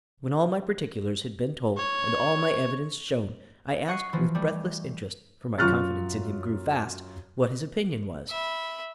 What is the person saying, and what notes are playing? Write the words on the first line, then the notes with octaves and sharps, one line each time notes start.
When all my particulars had been told, and all my evidence shown, I asked with breathless interest--for my confidence in him grew fast--what his opinion was.
C#5
D#5 F#5 C#6 C7 C#7
E3 F3
G3 A3
F#2 F4 C#6 F6 F#6 A6
E5 B5